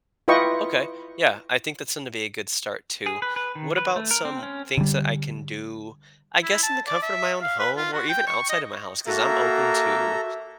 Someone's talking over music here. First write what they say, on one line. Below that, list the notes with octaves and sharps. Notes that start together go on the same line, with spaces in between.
Okay. Yeah. I think that's gonna be a good start, too. What about some things that I can do, I guess, in the comfort of my own home or even outside of my house? 'Cause I'm open to
E4 F4 B4 D#5 G5 C#6
G#4
B4
B4
D#3
B4
A3
A#4
C4
C#4
D3 G3
E4
A5
D5
E5
F5
B4
F4
F#4
G5
C#6
D#5
A#3 F#4 A4 E5 A#5